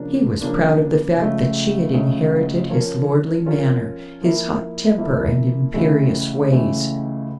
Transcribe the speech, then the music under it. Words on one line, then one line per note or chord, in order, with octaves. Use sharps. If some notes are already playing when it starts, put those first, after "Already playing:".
He was proud of the fact that she had inherited his lordly manner, his hot temper, and imperious ways.
Already playing: C#3 F3 A#3 D4
C#3 F3 A#3 D4
C#2 C#3 F3 A3
C#2 C#3 F3 A3
F3 C#4 F4 A#4 C#5
F3 C#4 F4 A#4 C#5
F3 A#3 E4
F3 A#3 E4
C#2 C#3 E3 A3
C#2 C#3 E3 A3